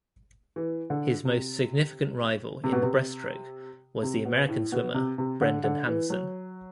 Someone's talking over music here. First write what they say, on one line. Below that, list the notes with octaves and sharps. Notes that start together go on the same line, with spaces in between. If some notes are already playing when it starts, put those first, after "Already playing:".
His most significant rival in the breaststroke was the American swimmer Brendan Hansen.
E3
D3
C3
C3
B2
C3
C3
B2
A2
B2
C3
C3
D3
D3
E3
F#3